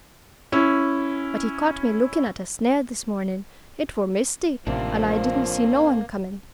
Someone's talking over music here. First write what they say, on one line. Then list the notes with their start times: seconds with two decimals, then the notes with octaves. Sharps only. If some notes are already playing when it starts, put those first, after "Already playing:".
But he caught me lookin' at a snare this mornin'--it wor misty, and I didn't see no one comin'.
0.52 C#4 E4
4.67 A1 C3 F3 A#3 C4 D4